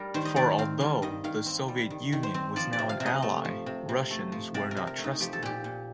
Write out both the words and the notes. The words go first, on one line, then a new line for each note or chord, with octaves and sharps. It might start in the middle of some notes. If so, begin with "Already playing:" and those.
For although the Soviet Union was now an ally, Russians were not trusted.
Already playing: G3 A#4
D#3 C5
D#5
D#3 D5
C4 F5
G3 F5
D#3 D#5
D#3 F5
C4
G3
D#3
D#3
C5
C4
F3 D5
D5
C3
F5
C3
D#5
A3
F3
C3
C3
A3
F3
C3 D5
A#4
C3
A#4
A3
D#4
F3 G4
A4
A#2 G4
A#2